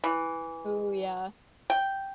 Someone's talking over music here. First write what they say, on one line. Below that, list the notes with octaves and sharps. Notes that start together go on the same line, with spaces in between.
Ooh, yeah.
E3
G5